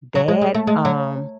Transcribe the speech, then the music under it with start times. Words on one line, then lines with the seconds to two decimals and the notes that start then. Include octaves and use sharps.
dad, um
0.15 F#3
0.28 G#3
0.41 G#3
0.54 A3
0.67 G#3
0.85 F#3